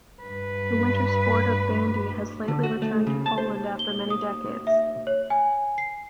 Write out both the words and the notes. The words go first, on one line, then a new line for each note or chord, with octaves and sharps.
The winter sport of bandy has lately returned to Poland after many decades.
G2 B4
D3
F#4
A3
C#3
A5
C5
G7
D#6
E5
C#5
G#5
C7